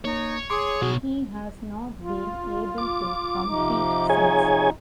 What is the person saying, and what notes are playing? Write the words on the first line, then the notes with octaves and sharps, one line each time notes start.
He has not been able to compete since.
A#3 D#4 C#5
G#4 C6 D6
B2 F#4 C#5
F4
D6
C3 F3 D#4
G#4 C#5 G#5